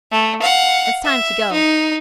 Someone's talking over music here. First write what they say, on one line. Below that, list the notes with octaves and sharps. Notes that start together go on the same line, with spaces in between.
It's time to go.
A3
F5 F#5
E5
D#4